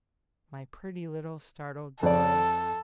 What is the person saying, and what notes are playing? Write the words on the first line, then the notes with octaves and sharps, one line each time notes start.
My pretty, little, startled Dora!
F2 A4 D5